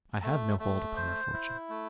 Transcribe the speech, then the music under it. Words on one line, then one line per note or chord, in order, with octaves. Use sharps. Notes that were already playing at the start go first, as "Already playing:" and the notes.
"I have no hold upon her fortune."
A3
A3
C5
E4
A3